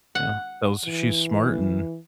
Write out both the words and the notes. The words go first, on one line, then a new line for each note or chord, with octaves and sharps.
Yeah, that was she's smart and
F#5
E3